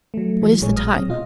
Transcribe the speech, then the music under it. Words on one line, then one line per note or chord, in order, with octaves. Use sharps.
"What is the time?"
F#3 A3
E3 F#3 G3
A1 A#2 G#3 G#4 C#5
D#6 F6 A#6
C4
B2 F4 D#5